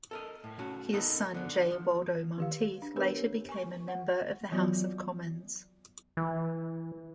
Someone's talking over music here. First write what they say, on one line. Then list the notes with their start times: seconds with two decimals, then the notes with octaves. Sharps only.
His son Jay Waldo Monteith later became a member of the House of Commons.
0.11 A4 A#4 D#5
0.44 A2
0.59 A3 C#4 F#4
0.93 B3 D#4 A4 A#4
1.34 D3 B3
1.71 F3
2.38 D#3 G4 F5
2.82 D4
2.96 B3 G4 A#4 B4 C#5
3.49 G#5 C#6
3.88 F#5
4.51 E3 F#3 B3 F4 F#4 D5
6.17 E3